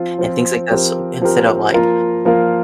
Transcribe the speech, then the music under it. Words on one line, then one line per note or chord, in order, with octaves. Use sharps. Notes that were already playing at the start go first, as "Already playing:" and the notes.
and things like that, so instead of, like
Already playing: F3 C4 F4
F3 C4 F4
F3 C4 G4 A#4
F3 C4 G4 A#4
F3 A#3 F4 A#4
F3 A#3 F4 A#4